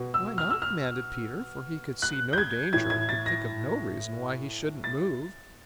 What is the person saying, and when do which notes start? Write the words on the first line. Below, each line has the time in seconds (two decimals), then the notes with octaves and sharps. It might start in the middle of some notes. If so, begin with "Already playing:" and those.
"Why not?" demanded Peter, for he could see no danger and could think of no reason why he shouldn't move.
Already playing: B2
0.14 E6
0.38 F6
0.50 E6
0.62 F6
2.02 F#6
2.33 G6
2.38 G#6
2.73 A2 E3 G#6
2.90 G#6
3.09 A6
3.26 A#6
4.84 A6